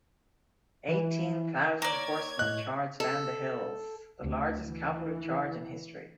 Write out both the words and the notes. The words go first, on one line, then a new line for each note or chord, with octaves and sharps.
Eighteen thousand horsemen charged down the hills, the largest cavalry charge in history.
E3
A#3 C#5 D5 G#6
A2 D#5 F#6
A4
D2
E3